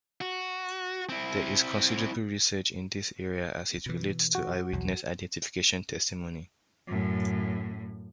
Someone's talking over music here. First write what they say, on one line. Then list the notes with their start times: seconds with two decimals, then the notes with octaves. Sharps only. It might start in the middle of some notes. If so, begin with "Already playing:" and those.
There is considerable research in this area as it relates to eyewitness identification testimony.
0.21 F#4
1.09 C4 E4
3.86 B2 E3
4.35 F#4
4.72 B1 E2 F#3
6.87 F#2 A2